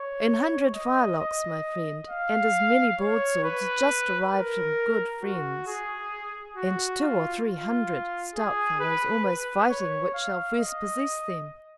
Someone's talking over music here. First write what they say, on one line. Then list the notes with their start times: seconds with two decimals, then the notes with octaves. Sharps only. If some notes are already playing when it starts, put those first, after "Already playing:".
An hundred firelocks, my friend, and as many broadswords, just arrived from good friends; and two or three hundred stout fellows almost fighting which shall first possess them.
Already playing: C#5
0.75 D#5
1.19 D#5
2.09 F5
2.99 C#5
3.44 B4
4.32 A#4
5.23 F#4
5.67 G#4
6.56 F#4
7.01 F4
7.46 F4
8.35 G#4
8.80 B4
9.25 B4
9.70 C#5
10.14 F5
10.59 D#5